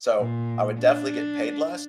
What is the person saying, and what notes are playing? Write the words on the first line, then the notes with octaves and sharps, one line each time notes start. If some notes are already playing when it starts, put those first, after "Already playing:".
so I would definitely get paid less,
A#2
D4